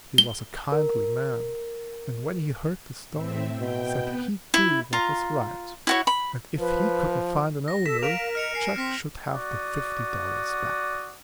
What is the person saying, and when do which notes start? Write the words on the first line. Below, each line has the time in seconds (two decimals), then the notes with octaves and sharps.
He was a kindly man; and when he heard the story, said he'd do what was right, and if he couldn't find an owner, Jack should have the fifty dollars back.
0.18 G7
0.72 A#4
3.10 A2 C4 E5
3.58 B2 G5 G6
3.95 B3 B4
4.54 E4
4.93 F4 A#5
5.87 E4 F#4 C#5
6.07 B5
6.59 F3 B4
7.68 A#6
7.86 A4 B6 E7
8.03 A#4 F5 D7 E7 F7
8.35 D#5 F6 C#7 F7
8.55 G#5 C7
8.76 C4 F6 A#6 B6
9.31 F#4 D5 D#6